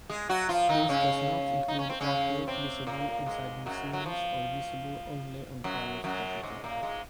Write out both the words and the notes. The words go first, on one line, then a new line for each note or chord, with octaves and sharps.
This does not include artwork visible inside museums or visible only on private property.
G#3 G#4
F#3 F#4
F3 F4
D#3 D#4
C#3 C#4
D#4
C#4
C4
C#3 C#4
C3 C4
A#2 A#3
G#2 G#3
F#2 F#3
F#3
F3
F#2 F#3
F#2 F#3
G#2 G#3
A#2 A#3
G#2 G#3